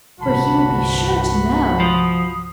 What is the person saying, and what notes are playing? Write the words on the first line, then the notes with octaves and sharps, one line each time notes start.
For he would be sure to know.'
G1 C2 E3 F#4 A5 B5
F3 D#6